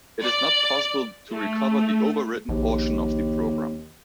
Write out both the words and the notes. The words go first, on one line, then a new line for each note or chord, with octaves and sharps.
It is not possible to recover the overwritten portion of the program.
D5
A3
A#1 D#2